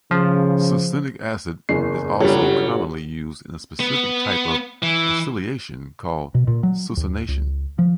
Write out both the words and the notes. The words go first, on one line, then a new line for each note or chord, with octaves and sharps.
Succinic acid is also commonly used in a specific type of acylation called "succination".
C#3 F3
F#1 E2 C7
G1 C#3 F#3 G3
B3
E3
B2
A#2
F#3
D#2
C#2
F3